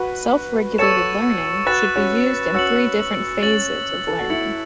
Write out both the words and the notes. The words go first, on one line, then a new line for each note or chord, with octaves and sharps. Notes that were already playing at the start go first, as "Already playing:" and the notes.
Self regulated learning should be used in three different phases of learning.
Already playing: F#4 B4
A4 C#5 C#6 E6 A6 C#7 E7
F#4 B4 F#6 A6 E7
C#4 F#4
C#4 F#4 E6 A6 C#7 F#7
C#4 A6 F#7
A4
F#4
E4 A6 C#7 F#7